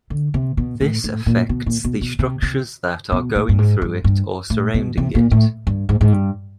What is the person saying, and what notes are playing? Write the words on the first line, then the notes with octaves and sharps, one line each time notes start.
This affects the structures that are going through it or surround it.
D3
C3
B2
A2
A2
A#2
B2
A#2
B2
B2
C3
C3
B2
A2
G2
G#2
G2
G2
A2
B2
C3
A#2
A2
G2
G#2
G#2
G2